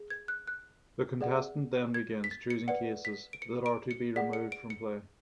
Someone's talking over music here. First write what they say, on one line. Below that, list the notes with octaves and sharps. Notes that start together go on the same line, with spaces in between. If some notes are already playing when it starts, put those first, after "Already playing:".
The contestant then begins choosing cases that are to be removed from play.
Already playing: G#4
G#6
F#6
F#6
G#4 D5 F#5
G#6
B6
A6
C#7
B4 D5 F#5 C#7
B6
D7
C#7
D7
C#7
G#4 D5 F#5 B6
C#7
D7
C#7